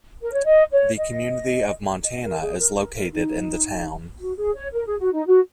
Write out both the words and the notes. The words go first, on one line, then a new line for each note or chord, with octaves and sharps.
The community of Montana is located in the town.
A#4
C#5
D#5
C#5
D#5
D#5
A#4
G#4
A#4
A#4
A#4
D#4
F#4
G#4
C#5
A#4
G#4
F#4
D#4
F#4